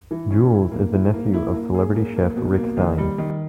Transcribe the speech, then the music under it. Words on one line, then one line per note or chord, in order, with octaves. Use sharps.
Jules is the nephew of celebrity chef Rick Stein.
E3
C#4
E4
A#3
E4
A#3
E4
A#3
G#4
A#3
A#3
B2
A#3
D#3
G3
D#3